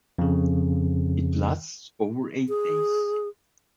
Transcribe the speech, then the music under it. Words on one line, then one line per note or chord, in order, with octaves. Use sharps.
It lasts over eight days.
F2 C#3
G#4